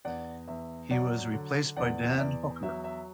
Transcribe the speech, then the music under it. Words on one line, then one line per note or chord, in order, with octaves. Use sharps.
He was replaced by Dan Hooker.
E2 D5 F#5
E2 E5
F#3 D5 F#5
D3
E2 D5 F#5
F#5
E5
E2 D5
F#3 E5
E5